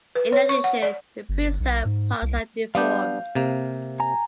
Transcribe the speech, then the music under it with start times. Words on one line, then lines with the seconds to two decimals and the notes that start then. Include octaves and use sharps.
In addition, the preserved parts are deformed.
0.15 B4
0.32 C#5
0.49 C#6
0.64 F#5
0.82 D5
1.29 G1
1.60 B1
1.85 G#2
2.22 C2
2.75 G3 B3 D4 F5 G6
3.35 C3 A#3
4.00 G#5 A#5